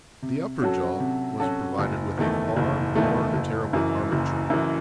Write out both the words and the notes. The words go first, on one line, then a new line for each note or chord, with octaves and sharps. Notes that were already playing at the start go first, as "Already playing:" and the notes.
The upper jaw was provided with a far more terrible armature.
C3
F#3 C#4 F#4 A4
C3
F#3 C#4 F#4 A4
F#1
E2 D#3 A3
F#1
E2 D#3 A3
F#1
F#2 E3
F#1
F#2 E3